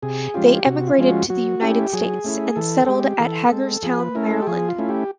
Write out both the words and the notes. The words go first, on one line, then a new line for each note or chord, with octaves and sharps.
They emigrated to the United States, and settled at Hagerstown, Maryland.
C3 G#4
F3 G#3 C#4 F4 G4
C3 F#4
F4
F3 G#3 C#4 F4
F#4
F#3 F#4
A3 C#4 E4 G4
F#3 G#4
A3 C#4 E4
E3 A4
G#3 C4 G4
E3 A4
G#3 C4
F3 G#4
B4
A3 C#4 E4 A#4
A4
G4
F3 G#4
F4
A3 C#4 E4
G4